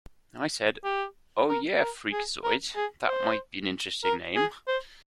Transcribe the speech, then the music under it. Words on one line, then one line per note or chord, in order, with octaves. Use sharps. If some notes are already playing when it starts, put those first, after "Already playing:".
I said 'Oh, yeah, 'Freakazoid', that might be an interesting name.
G4
A#4
A#4
G#4
A#4
G#4
C5
A#4
G#4
C5